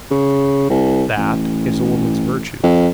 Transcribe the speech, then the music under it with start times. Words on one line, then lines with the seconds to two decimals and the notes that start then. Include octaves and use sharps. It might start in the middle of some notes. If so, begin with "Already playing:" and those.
That is a woman's virtue.
0.11 C#3
0.70 C2
1.17 A1
2.63 F2